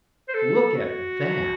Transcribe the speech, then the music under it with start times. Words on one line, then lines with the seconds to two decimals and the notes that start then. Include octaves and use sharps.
"Look at that!"
0.29 C5
0.34 A4
0.75 F#4